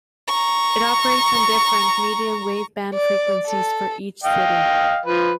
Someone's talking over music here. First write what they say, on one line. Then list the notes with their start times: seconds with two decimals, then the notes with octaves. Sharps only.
It operates on different medium wave-band frequencies for each city.
0.28 A#5 C#6
2.94 D5
3.47 A4
4.24 D#5 F5 G5
5.05 F3 B4